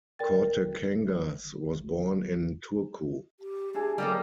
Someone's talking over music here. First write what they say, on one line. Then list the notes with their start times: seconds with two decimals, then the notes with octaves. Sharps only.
Kortekangas was born in Turku.
0.19 A#4 D5 G5 A6
3.40 G4
3.74 D4 E4 G4 G#4
3.98 F#3 G3 A#3 D#4 A4